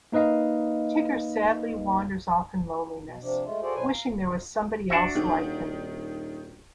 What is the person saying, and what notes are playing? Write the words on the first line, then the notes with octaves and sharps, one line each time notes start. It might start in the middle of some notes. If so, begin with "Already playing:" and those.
Tigger sadly wanders off in loneliness, wishing there was somebody else like him.
A#3 D#4 B4 D#5 F5
B2
C3 F3 D4
G#3 A3 F4
F4 F#4 G#4 A4 C5 D5
G#2 B2 F#3 B4 C5 G#5
F5 A#5
D4 F#4 E5
D#1 D#3